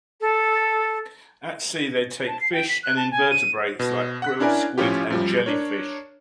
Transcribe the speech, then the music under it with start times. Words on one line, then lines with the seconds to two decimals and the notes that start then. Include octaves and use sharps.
At sea, they take fish and invertebrates like krill, squid and jellyfish.
0.20 A4
2.27 A5
2.40 C7
2.53 G5
2.69 B6
2.83 F#6
2.97 A5
3.11 G#5
3.30 D#7
3.79 B2
4.22 F#5 F#6 B6
4.40 C#4 D4 E4 A#4 D5 G#5
4.78 A2 F3 C#4 F4 G4
5.10 F#2 F3 G3
5.46 D4 A#4 C#5